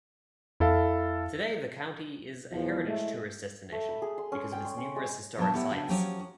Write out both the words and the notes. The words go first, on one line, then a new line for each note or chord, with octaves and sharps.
Today, the county is a heritage tourist destination, because of its numerous historic sites.
F2 E4 A4 F5
E2 F3
A2 G#3 A3
A3
B5
G#4
C6
C#4
G5
C6
C#4
G#3
B2 F3 F#3 D4 A#4 A5
B3 E4 G4 E5 G5
C#3 D4 F#4 B4 G5
F3 F#3 C#4 G4 G5
F#4